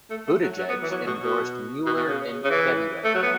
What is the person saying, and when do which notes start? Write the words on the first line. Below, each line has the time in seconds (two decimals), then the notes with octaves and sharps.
Buttigieg endorsed Mueller in February.
0.10 A3
0.27 A3
0.43 F#3
0.58 F#3
0.69 B3
0.83 E3
0.90 F#3
1.07 B2
1.23 B2
1.86 B2
1.97 B2
2.07 C#3
2.44 C#3
2.50 E3
3.04 A3
3.14 F#3
3.23 B3